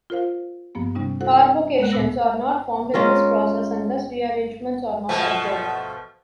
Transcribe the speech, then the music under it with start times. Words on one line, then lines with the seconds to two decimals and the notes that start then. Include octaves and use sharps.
Carbocations are not formed in this process and thus rearrangements are not observed.
0.10 F4 A#4 C5 F5
0.75 G2 F3 A#3 B3
0.95 C3 G3 C#4 D#4
1.21 E4 F#4 A4 C5 F#5
1.78 G#3 A#3 A#4 F#5 F#6
1.91 D2 A#2 B3 E6 A#6
2.94 G#3 C#4 F4 A#4
5.09 B2 F3 A3